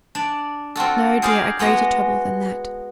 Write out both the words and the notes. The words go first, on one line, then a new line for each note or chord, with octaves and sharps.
'No, dear; a greater trouble than that.
D4 D5
C4 F4 F#4 A4
G#4 A#4 C5 D5 F5
G#3 B3 F#4 A#5